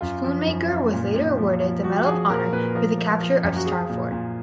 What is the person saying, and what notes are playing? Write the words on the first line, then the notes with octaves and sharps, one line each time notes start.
Schoonmaker was later awarded the Medal of Honor for the capture of Star Fort.
F#2 F4
F3
F#2
F#2
A#2
A#2
F3
F3
F3 F#4
F3 G#4
A#2 A#4
A#2 B4
F3 A#4
F3
F3
F#2
F#4
F3 G#4
A#2
A#2